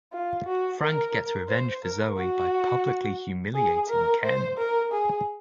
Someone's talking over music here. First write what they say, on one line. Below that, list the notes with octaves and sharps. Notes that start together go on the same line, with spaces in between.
Frank gets revenge for Zoe by publicly humiliating Ken.
F4
F#4
A#4
C5
A#4
F#4
G#4
A#4
C5
A#4
G#4